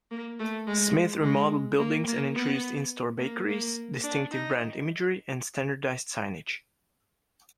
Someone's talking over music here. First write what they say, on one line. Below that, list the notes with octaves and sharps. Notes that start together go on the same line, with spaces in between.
Smith remodeled buildings, and introduced in-store bakeries, distinctive brand imagery, and standardized signage.
A#3
A3
G#3
G#3
A#3
A#3
B3
A#3
A#3
D4
D#4